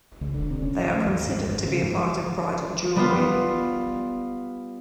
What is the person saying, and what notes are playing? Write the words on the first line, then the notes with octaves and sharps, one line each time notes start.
They are considered to be a part of bridal jewellery.
C#2
D3
C3
C#4
G#1
A3
D#2
G#2
G#1
C#3
G#2
G3 B3 F4